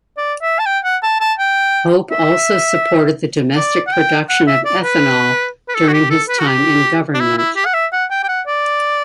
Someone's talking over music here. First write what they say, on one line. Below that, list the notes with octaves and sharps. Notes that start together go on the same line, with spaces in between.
Hope also supported the domestic production of ethanol during his time in government.
D5
E5
A5
G5
F#5
A5
A5
G5
E5
D5
F#5
G5
F#5
E5
D5
B4
B4
A4
F#4
G4
A4
B4
F#4
G4
D4
E4
E4
G4
F#5
E5
F#5
G5
G5
F#5
D5